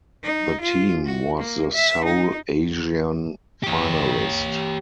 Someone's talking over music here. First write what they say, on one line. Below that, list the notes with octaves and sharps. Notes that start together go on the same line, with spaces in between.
The team was the sole Asian finalist.
D#4
F4
F#4
A#3
E5
D#4
G4 C#5